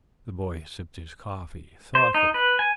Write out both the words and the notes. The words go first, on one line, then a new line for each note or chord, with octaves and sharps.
The boy sipped his coffee thoughtfully.
C5
D#4
B4
G#5